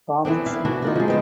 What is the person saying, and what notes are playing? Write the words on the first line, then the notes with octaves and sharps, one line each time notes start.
Comics imprint.
E3 B3 C4 D4
E4 B4 F5
E3 D4 F#4
D#4 F4 F#4
F3 G#3
C#3 B3 C4